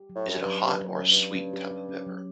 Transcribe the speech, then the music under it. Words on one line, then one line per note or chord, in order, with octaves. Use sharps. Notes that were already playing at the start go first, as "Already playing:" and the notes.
Is it a hot or a sweet type of pepper?
Already playing: G4
F#3
A2
F#2 C#4
G2
F#3
G2 G4
F#3
F#2
C#4
G2
G4
C#4
G4
G4
C#4
F#3